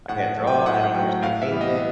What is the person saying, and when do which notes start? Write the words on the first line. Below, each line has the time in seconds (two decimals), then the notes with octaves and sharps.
I can't draw, I don't understand painting,
0.09 A2 F#5
0.38 F#3 A3
0.47 G5
0.66 A2 F#5
0.95 F#3 A3 G5
1.23 A2 F5
1.42 E5
1.51 E3 G3 B3
1.61 D#5